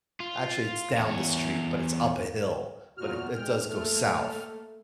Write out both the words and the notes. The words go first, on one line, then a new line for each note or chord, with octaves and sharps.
actually, it's down the street, but it's up a hill, but it it does go south.
F4
E2 C#5
E2 A#2 F#4 F6
G#3 D5 G5 F6
A3 A#3 A4